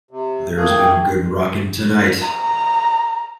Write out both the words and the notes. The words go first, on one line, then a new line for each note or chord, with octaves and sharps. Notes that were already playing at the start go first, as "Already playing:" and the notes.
There's been Good Rockin' Tonite!
C3
A3 A#3 G#4
G5
A#5